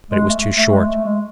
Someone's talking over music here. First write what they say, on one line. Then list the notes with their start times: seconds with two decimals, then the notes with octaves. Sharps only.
But it was too short.
0.11 G#3
0.29 A3
0.58 A3
0.72 G#3
0.86 A3
1.05 G#3